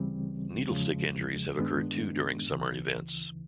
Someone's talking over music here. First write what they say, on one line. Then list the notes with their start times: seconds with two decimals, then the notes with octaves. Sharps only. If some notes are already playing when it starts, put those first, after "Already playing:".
Needle stick injuries have occurred too during Summer events.
Already playing: D2 C#3 E3 G3 C4
0.69 E2 C#3 F3 G#3
1.58 G2 D#3 G#3 B3 D4
2.48 D2 C#3 E3